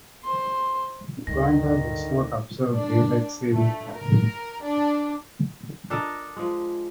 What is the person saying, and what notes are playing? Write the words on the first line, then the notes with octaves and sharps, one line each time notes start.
Uganda does not observe daylight saving time.
C5 C6
D2 G2 D#3 A#6
D3
D4
A3
A#4
D4
D4 A4 A#4 D#5
F3 G#3